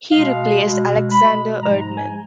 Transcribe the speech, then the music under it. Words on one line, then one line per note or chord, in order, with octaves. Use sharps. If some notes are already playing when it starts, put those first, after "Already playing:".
He replaced Aleksander Erdman.
B2 G#3 F5
B2 G#3
B2 G#3 B5
G#2 F3 G#3 A#5
A#5
G#5